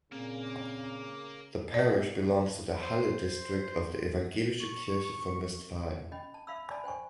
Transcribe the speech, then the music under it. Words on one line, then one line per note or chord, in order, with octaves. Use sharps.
The parish belongs to the Halle district of the Evangelische Kirche von Westfalen.
A#2 C#3 A#3 C4
B4 D5
C5
C#6
C#4 D#5 G5 B5
A5
E5 F5 B5 E6
D5 G#5 A5 B5
C5 G5 G#5 C#6